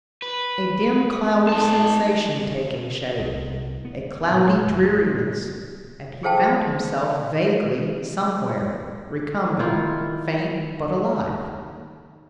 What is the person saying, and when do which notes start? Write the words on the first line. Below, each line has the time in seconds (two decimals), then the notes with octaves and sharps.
A dim cloud of sensation taking shape, a cloudy dreariness, and he found himself vaguely somewhere, recumbent, faint, but alive.
0.22 B4
1.49 D#4 A5
3.19 C2
3.85 B3
4.31 A#2 F#3
4.67 F#1
6.23 G#4 A4 C5 F5 G5 A5
9.59 D#3 E4 F4